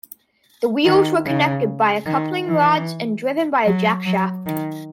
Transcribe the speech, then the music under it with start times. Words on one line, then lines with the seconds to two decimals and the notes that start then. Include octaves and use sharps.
The wheels were connected by coupling rods and driven by a jackshaft.
0.85 D#3
1.25 C#3
2.06 D#3
2.45 E3
3.65 F#3
4.05 F#3
4.46 D#3